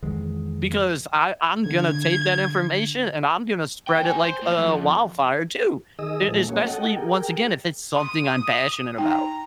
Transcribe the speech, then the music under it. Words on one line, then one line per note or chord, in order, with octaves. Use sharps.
because I I'm gonna take that information, and I'm gonna spread it, uh, like a wildfire too, e especially, once again, if it's something I'm passionate about.
F2 D#3 E3 G#3
D3 G#6
D#2 G5
C5 G#5
C5
A2
F2
D#3 G#4 D#5 D#6 E6
A#2 F3 G#3 A3
A3 A#3 C#4 F#4 C#5
A4 D#5 F#5 G5
G4 G#4 A#4 G5
C6 D#6
D#4 G5 A#5